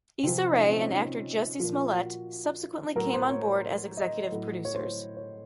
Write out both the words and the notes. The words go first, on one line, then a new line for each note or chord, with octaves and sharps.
Issa Rae and actor Jussie Smollett subsequently came on board as executive producers.
C3 F3 C4
D#4
C#4
C4
C#4
D#4
A#2 F3 F4
F#4
A2 F#3 A#4
C5
C#5
D#5
A2 F#3
C#5
C5
C#5
C#5